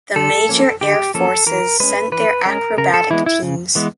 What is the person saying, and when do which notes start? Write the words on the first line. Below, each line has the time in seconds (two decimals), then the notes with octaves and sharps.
The major Air Forces sent their acrobatic teams.
0.16 D3 A4
0.49 F3 A#3 C#4
0.81 D3 G4
1.14 F3 A#3 C#4 A4
1.46 E3 A#4
1.80 G#3 C#4 B4
2.12 E3 B4
2.45 G#3 C#4 A#4
2.78 C#3 A#4
2.94 A4
3.10 E3 G#3 B3 E4
3.26 E4
3.42 C#3
3.75 E3 G#3 B3